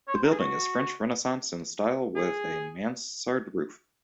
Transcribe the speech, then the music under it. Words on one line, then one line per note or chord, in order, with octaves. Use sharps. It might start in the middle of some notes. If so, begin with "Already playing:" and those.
The building is French Renaissance in style with a mansard roof.
C#5
C5
A#4
G#4
F#4
G#4